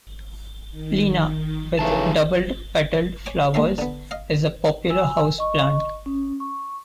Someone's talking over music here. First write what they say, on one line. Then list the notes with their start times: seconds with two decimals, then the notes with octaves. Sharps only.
'Plena', with doubled-petaled flowers, is a popular houseplant.
0.71 D#3
1.79 C#3 E3 F3 A3 D#4 A5
3.26 C#5 G#5 D6
3.54 G#3 A#3 C#4 E5 C6
3.78 D3 B3
4.11 D#5 F5
4.90 G#5 E6
5.38 D#5 C#6
6.06 C#4
6.40 C#6